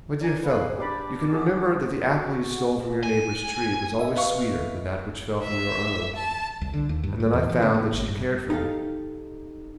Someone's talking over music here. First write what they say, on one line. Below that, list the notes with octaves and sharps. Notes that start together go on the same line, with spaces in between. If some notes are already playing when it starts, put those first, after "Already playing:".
"My dear fellow, you can remember that the apple you stole from your neighbour's tree was always sweeter than that which fell from your own. And then I found that she cared for me."
C#4 D5 G#5 A#5 G#6
G#4 B4 C5 F5
D4 G4 D5 B5 D6
F#4 G#4
F#4
G#5
D#5 E5
B4 F5 C#6
E5
A5
C2
D3
D#2
G2
A2
E2
E3
C#3
A#3
G#1
G2
D#4 G4 A4 F5